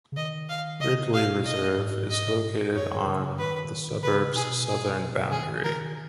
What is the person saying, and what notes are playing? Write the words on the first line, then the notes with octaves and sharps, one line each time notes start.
Ridley Reserve is located on the suburb's southern boundary.
C#3
D#3 D#5
F5
C#3 D#5
B2 F5
D#5
G#2
D#5
F#2 C#5
C#3
D#3 B4
C#3 B4
B2 G#4
G#4
D#3 G#4
D#3 A#4